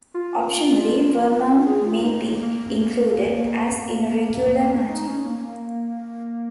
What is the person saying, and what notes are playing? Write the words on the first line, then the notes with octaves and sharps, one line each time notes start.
Optionally, vermouth may be included, as in a regular martini.
F4
G#4
F4
D#4
A#3
A#3
C#4
D#4
C#4
A#3